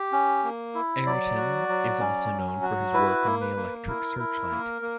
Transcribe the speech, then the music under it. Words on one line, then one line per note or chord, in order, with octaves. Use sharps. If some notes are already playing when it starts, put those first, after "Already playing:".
Ayrton is also known for his work on the electric searchlight.
Already playing: G4
C#4
A#3
E4
F#3 D5
F#4
F#3
C#4
F#3
F#4
E4 B4
A#3
B4
A#3
E4 A#4
E4
A#3
A#3